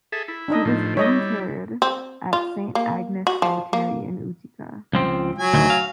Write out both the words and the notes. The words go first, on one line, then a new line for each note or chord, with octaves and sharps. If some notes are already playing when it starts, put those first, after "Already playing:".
He was interred at Saint Agnes Cemetery in Utica.
G#4 A4 E5
E4
D4 D#4 D#5
A2 F3
G3 E4 C#5 D#5
C4
F4
A#3
F#4
F3
A#3
C#2 F3 C4
F#3 G#5
D2 D#3
F5